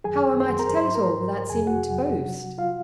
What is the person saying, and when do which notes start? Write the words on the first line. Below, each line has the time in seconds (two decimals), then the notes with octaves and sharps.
How am I to tell it all without seeming to boast.
0.04 F#2 D#3 F#3 G#4 G#5
0.40 F#2 D#3 F#3 C5 C6
0.59 A#4 A#5
0.77 G#2 F#3 C5 C6
0.95 A#4 A#5
1.13 G#2 F#3
1.49 F2 C3 F#3 G#4 G#5
1.67 F#4 F#5
1.86 F2 C3 F#3
2.22 C3 F#3
2.58 C3 F#3 F4 F5